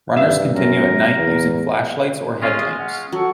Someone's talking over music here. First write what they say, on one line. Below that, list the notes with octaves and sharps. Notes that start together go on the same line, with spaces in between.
Runners continue at night using flashlights or headlamps.
G2 E5 F5
F#2 A#4
E2
G#3 C#4 F4 C6 F6
G#4
F#5
F#3 A4 F#5 C#6